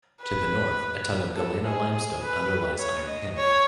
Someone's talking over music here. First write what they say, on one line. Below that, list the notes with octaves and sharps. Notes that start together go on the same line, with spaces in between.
To the north, a tongue of Galena Limestone underlies Iron Hill.
B4
A4
G#4
G#4
B4
C#5
D#5
C#5